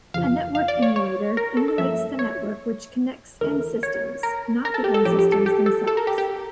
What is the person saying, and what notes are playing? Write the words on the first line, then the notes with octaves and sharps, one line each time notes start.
A network emulator emulates the network which connects end-systems, not the end-systems themselves.
F2 C#3 F3 F5
F5
D5
C#5
C#5
A#4
A4
A4
G2 F3 A#3 C#4 E5
C#5
E2 D3 A3 E4 A#4
C#5
A#4
A#4
A4
G4
A4
A2 F3 C#4 G4
G4
A4
G4
A4
A4
A#4
G4
G4